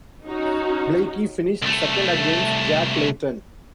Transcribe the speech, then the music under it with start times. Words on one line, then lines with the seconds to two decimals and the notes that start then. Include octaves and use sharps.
Blaikie finished second against Jack Layton.
0.24 C#4 D#4 F#4
1.62 C2 A3